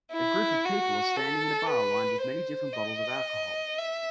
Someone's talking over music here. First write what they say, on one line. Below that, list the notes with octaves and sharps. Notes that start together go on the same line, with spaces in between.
A group of people are standing in a bar lined with many different bottles of alcohol.
E4
F#4
A4
B4
C5
D#5
E5